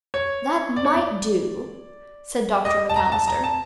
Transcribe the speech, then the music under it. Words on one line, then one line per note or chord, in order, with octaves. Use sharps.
"That might do," said Dr. McAllister.
C#5
D5
C#5
D5
D#5
A5
A#5
A5
A#5
A5